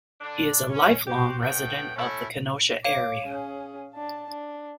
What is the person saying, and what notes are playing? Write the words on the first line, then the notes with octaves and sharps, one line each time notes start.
He is a lifelong resident of the Kenosha area.
D3 D4
C#4
F#4 G4 C5
A2 B3 G5
A3 C#4 E4
C#5 F5 D6
C#4 G#4
D4 A5
D4